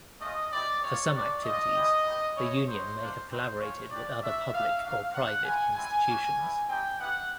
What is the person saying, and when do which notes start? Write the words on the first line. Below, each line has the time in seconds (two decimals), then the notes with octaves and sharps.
For some activities, the Union may have collaborated with other public or private institutions.
0.21 A3 C#4 F4 D#5
0.52 C4 E4 G4 D5
0.83 A3 C4 F4 C#5
1.14 G3 B3 D4 F#4 D5
1.44 A3 C4 F4 D#5
1.76 G#3 B3 E4 G4
2.06 B3 D#4 G4
2.37 A3 C#4 E4 C#5
2.68 B3 D#4 F#4 C5
2.99 A#3 D4 F4
3.29 A3 C4 D#4 F#4 C5
3.60 A3 C#4 F4 C#5
3.91 B3 D4 G4 D5
4.22 A3 D4 F#4 E5
4.53 B3 D4 G4 F5
4.83 A#3 D4 F#4 F5
5.14 A#3 D4 F4 F#5
5.45 A3 C4 E4 G#5
5.76 G3 C4 E4 G#5
6.07 A#3 C#4 F#4
6.38 G3 B3 E4
6.69 C4 D#4 G4 G5
6.99 B3 E4 G4 F#5